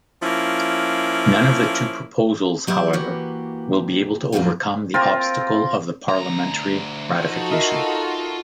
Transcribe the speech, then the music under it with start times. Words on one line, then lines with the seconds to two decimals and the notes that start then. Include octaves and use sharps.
None of the two proposals, however, will be able to overcome the obstacle of the parliamentary ratification.
0.23 F3 A#3 C#4 E4
2.67 F#3 G4 D5 E5
2.93 E3 A#3 F#4 G4 B4
4.32 F2 A2 F#3 G3 E4 F4
4.94 C4 F4 A#4
6.08 D2 A#5
7.17 F3 D#4 F#4 A4
7.51 F4 A#4 D#5 E5